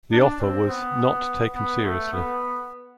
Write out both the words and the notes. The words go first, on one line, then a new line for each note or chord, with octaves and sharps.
The offer was "not taken seriously".
D4
C4
B3
B3
A3
B3